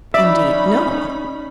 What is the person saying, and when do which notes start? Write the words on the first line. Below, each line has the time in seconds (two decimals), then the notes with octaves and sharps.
"Indeed no."
0.14 C#4 D#4 D5 E5 B5